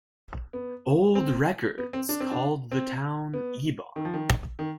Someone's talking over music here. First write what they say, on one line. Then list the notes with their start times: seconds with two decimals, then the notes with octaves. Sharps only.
Old records called the town Ibon.
0.53 B3
1.15 C4
1.78 B3
1.93 C4
2.09 D4
2.20 C4
2.31 D4
2.72 C4
3.34 B3
3.96 D#3
4.05 F3
4.14 D#3
4.59 D#3